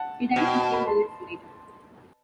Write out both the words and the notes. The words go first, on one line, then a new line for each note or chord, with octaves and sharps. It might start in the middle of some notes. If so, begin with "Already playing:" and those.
He died fifteen minutes later.
Already playing: F#5 A5
B2 F#5
G5
A5
B5
A5 C6